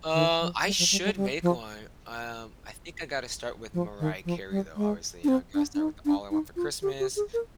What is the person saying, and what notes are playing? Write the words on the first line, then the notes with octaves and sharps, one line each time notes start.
Uh, I should make one. Um, I think I gotta start with Mariah Carey, though, obviously, you know, gotta start with All I Want for Christmas,
D#3
F3
G3
F3
G3
G3
G3
F3
F3
D#3
F3
G3
G#3
D4
C4
D4
D4
D#4
D4
D#4
F4
G4
G4
G#4
A#4